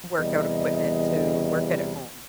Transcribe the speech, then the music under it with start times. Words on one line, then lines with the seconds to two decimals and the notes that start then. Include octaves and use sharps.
workout equipment to work at home
0.19 E2 C3 G3 D#5